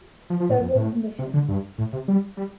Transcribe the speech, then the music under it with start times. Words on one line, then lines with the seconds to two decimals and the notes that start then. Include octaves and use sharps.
Several commissions.
0.30 F3
0.40 F3
0.49 A2
0.60 F2
0.75 A2
1.19 C3
1.34 D3
1.48 G2
1.78 A2
1.93 C3
2.08 G3
2.37 G3